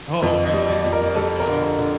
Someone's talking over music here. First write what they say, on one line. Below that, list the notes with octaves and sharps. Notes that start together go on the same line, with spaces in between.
Oh, really? That's funny.
F2
D#5
G3
D5
F2
A#4
G3 A4
A#4
D3
A#4
D3